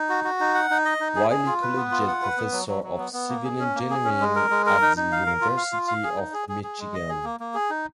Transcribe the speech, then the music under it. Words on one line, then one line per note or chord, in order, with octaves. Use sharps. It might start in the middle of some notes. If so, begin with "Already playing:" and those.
Wylie Collegiate Professor of Civil Engineering at the University of Michigan.
Already playing: D#4
F#4
F#4
D#4
F#5
D#4
D#5
D#4
G#4
G#4
F4
B4
B3
F4
F#5
B4
B3
F#3
F#3
F#3
B3
B3
A#3
G#4
C#4
A#3
G#4
C#4
G#3
A#4
G#3
A#4
D#4
D#4
F5
A#4
F4
F5
F4
F5
G#4
D#4
G#4
G#4
G#4
G#3
D#5
G#4
A#3
A#3
G#4
D#4